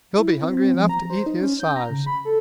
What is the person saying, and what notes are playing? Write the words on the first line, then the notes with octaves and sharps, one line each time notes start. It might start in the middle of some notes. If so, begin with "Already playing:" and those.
"He'll be hungry enough to eat his size."
E4
C4
F3
A#5
C5
D#4
C#4
G6
A#5
C#3
B5
A4